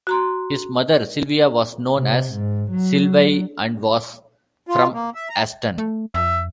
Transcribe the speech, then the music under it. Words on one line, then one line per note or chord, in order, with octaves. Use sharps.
His mother, Sylvia, was known as "Sylvie" and was from Aston.
F#4 A#5 C6
C3
G#2
F#3
F4
A#3
E5
A#5
A3
F2 E5